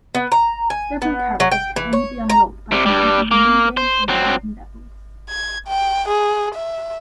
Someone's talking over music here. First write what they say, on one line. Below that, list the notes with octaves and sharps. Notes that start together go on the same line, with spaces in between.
Several characters can only be unlocked by completing the minigames on certain levels.
B3
A#5
G#5
B3
F#3
G5
E3
C#5
A#5
C3 G3
G2 G3
A#3
C5
F#3 C4
G#6
G5
G#4
E5